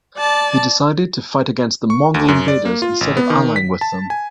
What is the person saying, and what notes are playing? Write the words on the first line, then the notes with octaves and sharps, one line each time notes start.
He decided to fight against the Mongol invaders instead of allying with them.
D5 A5
C#6
D2
F#2
D5
A#3
F4
A1
B3
D#3
B6
A5
G#5